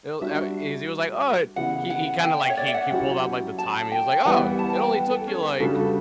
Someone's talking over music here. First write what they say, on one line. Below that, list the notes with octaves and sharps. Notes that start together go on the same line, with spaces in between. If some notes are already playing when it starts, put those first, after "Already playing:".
He'll eh, e he was, like, "Oh, eh" he he kinda, like, he he pulled out, like, the time, he was like, "Oh, it only took you, like,
G3 D4 F#4 E5
C#3 E3 B3 E4 G4 F#5
F#5
G5
E5
C#5
D5
E5
F#5
F#3 C#4 E4 G4
A5
G5
E3 G3 B3 F#5
G5
A5
A5
G5
F#5
A4
C#4
B4
C#3 G3 D4 F#4 A4